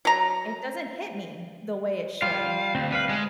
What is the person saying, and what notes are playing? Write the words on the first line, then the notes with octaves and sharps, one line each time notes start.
It doesn't hit me the way it should.
F#3 A#5
G3 F4 F5
D2 C4
G3 B4 F5
G#3 G#4